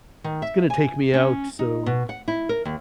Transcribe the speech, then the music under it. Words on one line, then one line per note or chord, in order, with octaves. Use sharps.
it's gonna take me out so
D#3
E5
G#5
C#4
D#4
B2
F#5
E4
A#4
D#2